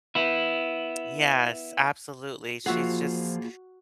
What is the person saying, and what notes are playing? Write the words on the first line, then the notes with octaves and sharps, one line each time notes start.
Yes, absolutely, she's just
B3 E4
F3 A#3 F4 F#4 G#4 E5 F#5